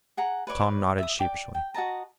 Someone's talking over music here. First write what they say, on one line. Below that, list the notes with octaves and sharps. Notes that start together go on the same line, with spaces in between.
Tom nodded sheepishly.
G#4 F#5 A#5
B4 C#5 D5 C#6
E5 D#6
D5 G5 D6
G5
F#4 D#5 A5 A#5